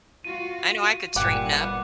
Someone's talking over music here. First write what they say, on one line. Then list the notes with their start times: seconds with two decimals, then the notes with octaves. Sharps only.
I know I could straighten up.
0.25 F4 F#4 F5 D#7
1.16 G1 A#2 G3 G4 F#5 G#5 D6 F#6
1.52 B3 F#5